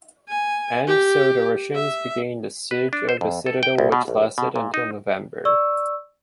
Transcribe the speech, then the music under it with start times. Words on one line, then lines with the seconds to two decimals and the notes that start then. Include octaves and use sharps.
And so The Russians began the siege of the citadel which lasted until November.
0.29 G#5
0.87 G4
1.75 E5
2.71 B4
2.93 D4
3.09 C5
3.21 F2
3.46 A4
3.63 G5
3.78 C2
3.92 B2
4.08 A#1
4.38 B2
4.56 A#2
4.74 D#4
5.45 D5 C#6 E6